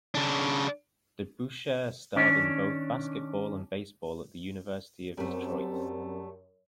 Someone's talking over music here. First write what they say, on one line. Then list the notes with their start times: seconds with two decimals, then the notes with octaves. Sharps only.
DeBusschere starred in both basketball and baseball at the University of Detroit.
0.14 C#3 D4
2.15 D#3 C#4 D4
5.17 F#2 G3 A3 C4